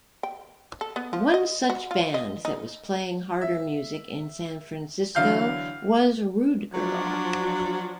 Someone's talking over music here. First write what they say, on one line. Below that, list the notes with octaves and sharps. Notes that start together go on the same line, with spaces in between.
One such band that was playing harder music in San Francisco was Rude Girl.
G5
A4
B3
F3
D#5
F#4
F4
D#5
D#4
E5
D3 E3 F#3 F5 F6 G6
F3 F#3 D4 F#4